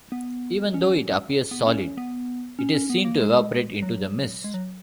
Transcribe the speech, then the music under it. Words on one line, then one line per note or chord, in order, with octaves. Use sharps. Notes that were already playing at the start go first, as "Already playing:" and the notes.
Even though it appears solid, it is seen to evaporate into the mist.
B3
C#4
B3
C#4
B3
C#4
C#4
B3
A#3
G#3
F#3
G#3
F#3